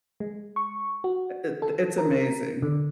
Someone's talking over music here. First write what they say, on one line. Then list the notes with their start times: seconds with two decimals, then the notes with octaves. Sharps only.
Eh, It Th It's amazing.
0.20 G#3
0.56 C#6
1.04 F#4
1.62 A4
1.98 A#4
2.62 D3